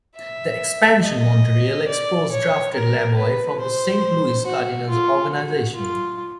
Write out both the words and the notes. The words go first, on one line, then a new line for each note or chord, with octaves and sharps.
The expansion Montreal Expos drafted Laboy from the Saint Louis Cardinals organization.
E5
D#5
D5
C#5
A#4
B4
C5
F#4
F4
F#4
F4